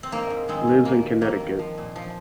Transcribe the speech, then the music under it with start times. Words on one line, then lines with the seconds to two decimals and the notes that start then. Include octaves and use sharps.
Lives in Connecticut.
0.03 C4
0.12 G#2 A#3
0.30 G#2
0.48 D#3 G#3 C4
0.67 D#3
0.85 D#3 A#3
1.03 D#3
1.21 F2 A#3
1.40 D#3
1.59 F3
1.78 A#2
1.96 F3